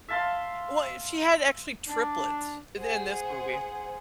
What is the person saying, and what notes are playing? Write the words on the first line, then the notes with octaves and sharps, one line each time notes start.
Well, she had actually triplets in in this movie,
E5 F5 A5 C6
D4
G#4 C5 F#5